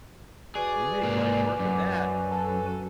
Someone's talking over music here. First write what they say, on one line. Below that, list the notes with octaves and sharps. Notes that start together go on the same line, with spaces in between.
You made light work of that!
F#4 G#4 B4 D5 G#5
G#2 A#3
F#2
A4